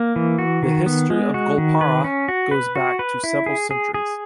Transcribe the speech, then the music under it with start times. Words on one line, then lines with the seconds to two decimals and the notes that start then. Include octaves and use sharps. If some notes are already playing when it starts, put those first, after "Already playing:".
The history of Goalpara goes back to several centuries.
Already playing: A#3
0.16 E3
0.39 F#4
0.63 D#3
0.86 B3
1.10 G#3
1.34 F#4
1.58 D#3
1.81 B4
2.04 C#4
2.28 F#4
2.51 B4
2.76 F#4
2.99 B4
3.24 E4
3.46 G#4
3.71 G#4
3.94 G#4